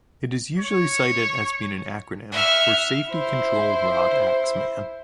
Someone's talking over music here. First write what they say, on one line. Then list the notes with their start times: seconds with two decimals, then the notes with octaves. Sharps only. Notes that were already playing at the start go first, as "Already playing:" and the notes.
It is usually cited as being an acronym for safety control rod axe man.
0.59 C#5
2.32 E5 F#5 F6
3.10 E4 C5